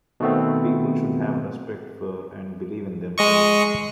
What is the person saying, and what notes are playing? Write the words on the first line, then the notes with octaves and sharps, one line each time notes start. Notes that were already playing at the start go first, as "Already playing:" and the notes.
People should have respect for and believe in themselves.
B2 D#3 A3 B3 C4
G#3 D#5 C#6